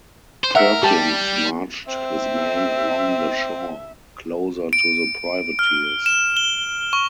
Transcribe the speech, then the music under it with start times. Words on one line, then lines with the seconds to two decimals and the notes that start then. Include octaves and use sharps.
Perkins marched his men along the shore, closer to the privateers.
0.44 C5
0.55 A#4 E5 F#5
0.83 G3 G4 A5
1.89 C4 E5
4.73 D7
5.59 F6
6.06 E7
6.37 G7
6.93 C#6